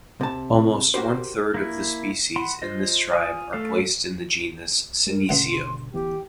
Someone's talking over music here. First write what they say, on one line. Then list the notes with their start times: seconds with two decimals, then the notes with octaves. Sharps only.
Almost one-third of the species in this tribe are placed in the genus "Senecio".
0.21 C3 A5
0.94 A#3 F#4 G4 C5
1.54 A#3 E4
2.36 F#5 B5 C6
2.62 F4 C5 D#5
3.13 F4 G#5 D#6
3.53 A3 A4 F5
5.06 G#3 A#4
5.29 G1 C#2 B2 D3 F#5 C6
5.94 D1 E3 B3 G4 G5